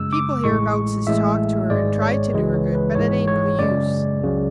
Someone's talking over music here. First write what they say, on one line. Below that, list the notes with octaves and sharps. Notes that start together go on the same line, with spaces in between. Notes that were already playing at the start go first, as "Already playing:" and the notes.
People hereabouts has talked to her and tried to do her good, but it ain't no use.
Already playing: F#2 C#3 G#3 E6
D6
A1 A2 G#3 C#6
A1 A2 G#3 E5
G#1 G#2 G#3 D5
C#5
C#2 C#3 E3 G#3 B4
C#5
B4
G#1 G#2 E3 G#3 C#5
C#5
F#2 C#3 G#3 D5
C#2 C#3 F#3